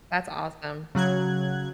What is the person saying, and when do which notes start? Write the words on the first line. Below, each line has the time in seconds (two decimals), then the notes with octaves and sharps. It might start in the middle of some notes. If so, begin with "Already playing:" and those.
That's awesome.
0.95 C#3 F#3 F#6 G#6